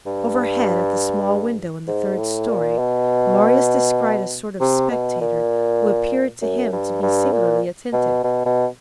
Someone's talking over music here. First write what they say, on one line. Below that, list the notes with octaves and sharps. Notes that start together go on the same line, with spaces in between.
Overhead, at the small window in the third story Marius descried a sort of spectator who appeared to him to be singularly attentive.
G2
G#2
A2
A#2
B2
C3
B2
A#2
F#2
G2
G2
A#2
B2
B2
B2